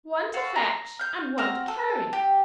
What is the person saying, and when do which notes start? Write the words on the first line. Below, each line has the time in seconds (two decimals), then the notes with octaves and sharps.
One to fetch, and one to carry.'
0.34 F#4 A4 F5
0.56 A#5
0.99 F6 G6
1.38 C4 F#4 A#5 F6
1.68 A4
2.13 G4